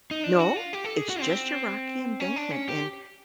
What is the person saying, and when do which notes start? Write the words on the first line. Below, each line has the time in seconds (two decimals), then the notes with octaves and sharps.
No, it's just your rocky embankment, and
0.11 D#4
0.24 D4
0.39 F#4
0.56 F4
0.73 G4
0.84 A4
0.98 G#4
1.09 F#4
1.21 C4
2.20 C#4
2.36 D4
2.52 C#4
2.69 G4